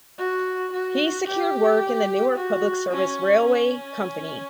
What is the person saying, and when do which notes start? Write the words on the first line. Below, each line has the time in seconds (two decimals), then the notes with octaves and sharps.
He secured work in the Newark Public Service Railway Company.
0.18 F#4
0.73 F#4
1.27 G4
2.36 F#4
2.91 C#4
3.45 C#4